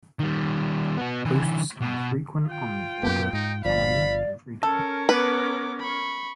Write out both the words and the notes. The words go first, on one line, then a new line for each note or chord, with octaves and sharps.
Posts are frequent - on the order of ten every day.
D#3 G3
B3 F#4
D3 E3
B2
F4 G5
F#2 A#3 B3 G4
G#2 D#4
G1 F3 D5 F5 B5
C#4 A4 A#4
B3 B4 D6
B5 C#6